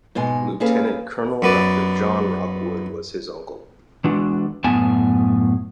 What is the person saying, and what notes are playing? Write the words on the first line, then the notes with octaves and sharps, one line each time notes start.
Lieutenant Colonel Dr John Rockwood was his uncle.
G#2 B2 G#3 G#5
A#3 C#4 G#4 A4 B4 F5
F#2 B3 D5
E3 G#3 D4 F#4
F#2 A2 B3 G#5 A5